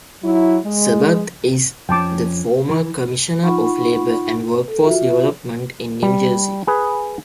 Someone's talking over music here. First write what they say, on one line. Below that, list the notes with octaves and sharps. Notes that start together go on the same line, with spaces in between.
Sabath is the former Commissioner of Labor and Workforce Development in New Jersey.
F#3 E4
G#3
F2 F3 C#4 G5 A5 D6
E3
D#4 F4 F#5 B5 C#6
A4
F4 F#4 E5
G3
G#4 B4